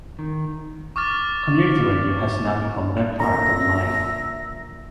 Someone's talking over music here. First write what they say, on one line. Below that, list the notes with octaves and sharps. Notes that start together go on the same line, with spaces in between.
Community Radio has now become their part of life.
D#3
C#6 D6 F6 A6
A#2 D3 E5 A#5 A#6